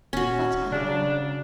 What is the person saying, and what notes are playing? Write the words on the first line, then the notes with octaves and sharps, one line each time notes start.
"What animal?"
D#1 C#4 F#4
C#3 D4